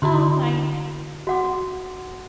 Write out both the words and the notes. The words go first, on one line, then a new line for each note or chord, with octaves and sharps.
Oh my goodn
D3 E4 F#4 C6
F#4 F#5 D6